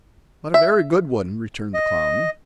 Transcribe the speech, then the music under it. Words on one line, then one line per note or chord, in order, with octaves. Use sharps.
"But a very good one," returned the Clown.
E5
D#5